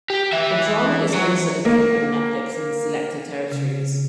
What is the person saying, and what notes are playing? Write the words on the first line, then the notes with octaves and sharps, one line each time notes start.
The drama is also available on Netflix in selected territories.
G4
E3 E5
F#3
A#3
C#3